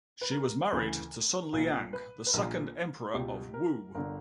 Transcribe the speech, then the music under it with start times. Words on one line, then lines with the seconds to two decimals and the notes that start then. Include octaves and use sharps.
She was married to Sun Liang, the second emperor of Wu.
0.21 B4
0.31 A#4
0.72 D2 C#3 E3
1.53 B1 A#2
1.93 B4
2.27 B4
2.33 A#1 A#2 A#4
3.14 C#2 B2 G4
3.54 A#4
3.95 G1 D3 A#4